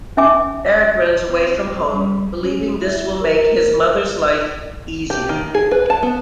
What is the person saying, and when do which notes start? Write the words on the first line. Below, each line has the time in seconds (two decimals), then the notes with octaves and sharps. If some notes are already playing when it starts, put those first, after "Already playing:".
Erik runs away from home believing this will make his mother's life easier.
0.17 C#4 E5 G#5 D6
1.28 C4
1.86 G3
2.43 C#4
2.80 E4
3.22 A#4
5.10 G4
5.29 D#3
5.55 G#4
5.71 B4
5.90 A5
6.03 B3